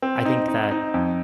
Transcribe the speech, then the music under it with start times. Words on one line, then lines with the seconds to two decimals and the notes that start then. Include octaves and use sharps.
I think that
0.02 C4
0.25 D#4
0.48 D#4
0.71 D#4
0.94 F2